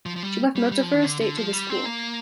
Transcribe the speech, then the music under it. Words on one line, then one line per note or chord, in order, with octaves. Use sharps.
She left most of her estate to the school.
F3
F3
G3
G3
G3
F3
D#3
D3
D3
F3
G3
C4
A#3